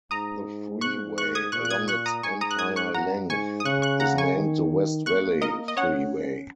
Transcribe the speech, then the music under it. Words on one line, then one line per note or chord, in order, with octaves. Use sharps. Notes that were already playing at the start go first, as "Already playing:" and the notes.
The freeway, along its entire length, is named the West Valley Freeway.
G#2 A#5 D#6
G#2 C#6 F#6
C#6 F#6
D#6 G#6
A#2 C#6 F#6
F#6
D#6 G#6
C#6 F#6
A#5 D#6
G#2 G#5 C#6
A#5 D#6
F#6
D#6 G#6
C#6 F#6
F#2 F#5 A#5
G#2 G#5 C#6
D#6
C#3 C#6 F#6
C#6 F#6
F#5 A#5
G#5 C#6
D#3
A#3 C#6 F#6
A#4 D#5
D#5
C#4 C#5 F#5